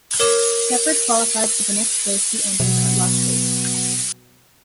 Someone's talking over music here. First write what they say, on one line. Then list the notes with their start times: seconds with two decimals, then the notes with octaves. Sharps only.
Shepherd qualified for the next race he entered at Las Vegas.
0.20 A#4 C#5 D6 E7
2.60 B2 F#3 B3